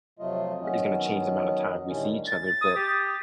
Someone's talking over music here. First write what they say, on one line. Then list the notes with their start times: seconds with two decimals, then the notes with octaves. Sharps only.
is gonna change the amount of time we see each other, but,
0.19 F2 C3 F#3 A3 F4 D#5
0.61 D#3 F#3 B3 C#4 D#5
1.87 A2 D3 D#3 G3 C#4
2.27 A6
2.61 D#6
2.76 G4